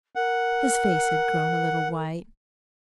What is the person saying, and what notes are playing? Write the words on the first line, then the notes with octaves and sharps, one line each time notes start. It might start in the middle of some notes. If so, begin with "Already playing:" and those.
His face had grown a little white.
A#4 F#5